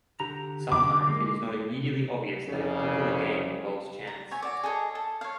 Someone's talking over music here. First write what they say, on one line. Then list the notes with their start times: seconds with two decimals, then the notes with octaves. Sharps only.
Sometimes it is not immediately obvious that a particular game involves chance.
0.20 D3 G4 A#5
0.72 D3 D6
1.07 G#3 A#3
2.48 C2 F2 C#3
4.07 A#5
4.31 C#5 E5 G#5
4.42 F#4 D5
4.63 G#4 A4 C#5 D#5
4.95 A4
5.21 C#5 F5